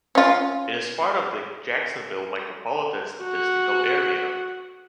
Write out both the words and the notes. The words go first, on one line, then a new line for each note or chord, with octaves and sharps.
It is part of the Jacksonville Micropolitan Statistical Area.
C#4 F4
F#4 F#5